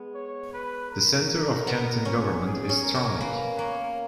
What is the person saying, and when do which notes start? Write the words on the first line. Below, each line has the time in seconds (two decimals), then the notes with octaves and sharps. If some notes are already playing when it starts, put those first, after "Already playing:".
The center of canton government is Travnik.
Already playing: G#3 B3
0.15 C#5
0.53 B4
0.92 A#4
1.67 B3
2.05 C#4
2.45 G#4
2.69 C#4
2.83 A#4
2.95 C#4
3.21 A#3 B4
3.59 A#3 C#5